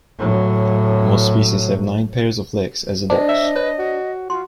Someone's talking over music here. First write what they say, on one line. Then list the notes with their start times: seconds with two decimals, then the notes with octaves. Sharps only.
Most species have nine pairs of legs as adults.
0.19 A2 F#3
3.10 D4 C5 D#5
3.29 E5
3.56 B4 C#5
3.79 F#4
4.30 F4 F#4 C6